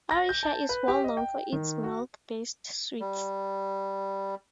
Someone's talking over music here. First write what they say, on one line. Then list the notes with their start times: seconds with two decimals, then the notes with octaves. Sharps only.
Odisha is well known for its milk based sweets.
0.11 A#6
0.29 G6
0.43 A5
0.69 B4
0.88 G4
1.04 D#5
1.17 G5
1.52 D#3
1.83 F#4
2.99 G3